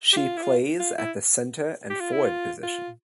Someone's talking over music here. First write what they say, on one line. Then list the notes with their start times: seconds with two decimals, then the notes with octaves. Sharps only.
She plays at the Centre and Forward position.
0.13 G4
0.17 F4
0.37 E4
0.42 F4
0.79 F4
0.98 E4
1.90 G4
2.00 F4
2.12 E4
2.24 F4
2.63 F4